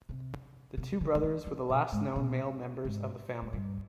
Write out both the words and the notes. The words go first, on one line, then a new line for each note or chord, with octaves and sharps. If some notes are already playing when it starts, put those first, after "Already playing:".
The two brothers were the last known male members of the family.
C3
C3
D3
D3
D#3
F3
B2
G#2
B2
G#2
F2
G2